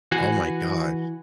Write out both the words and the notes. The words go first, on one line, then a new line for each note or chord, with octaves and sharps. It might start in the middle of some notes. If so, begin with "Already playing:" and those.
Oh my gosh.
E3 F#4 F#5 G#5